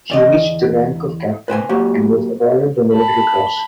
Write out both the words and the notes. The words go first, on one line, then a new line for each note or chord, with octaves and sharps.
He reached the rank of Captain and was awarded the Military Cross.
E2 D5 D#5
B4 C5 G5 G#5
F#3 A#3 F#4 G4
A5 B5